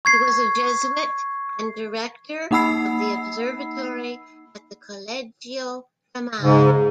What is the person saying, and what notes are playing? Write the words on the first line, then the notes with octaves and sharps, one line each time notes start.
He was a Jesuit and director of the observatory at the Collegio Romano.
C#6 G#6 C7
A#3 D#4 F#5 B5 E6 C7
G#2 C#3